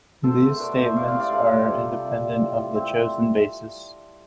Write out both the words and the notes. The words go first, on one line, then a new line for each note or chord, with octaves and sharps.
These statements are independent of the chosen basis.
B2 A4 C5
A3
B2 B4 D5
A3 C5 E5
A2 D5 F5
D5 F5
G3
D5 F5
A2 F4 A4
G3
C3
G3
C3
G3
A2
G3
A2 C4